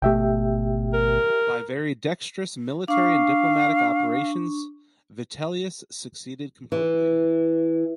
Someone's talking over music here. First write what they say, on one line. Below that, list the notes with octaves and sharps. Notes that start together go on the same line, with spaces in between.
By very dexterous military and diplomatic operations Vitellius succeeded completely.
G#1 B2 A3 G4 E5 G5
A#4
D4 F5 C#6
E3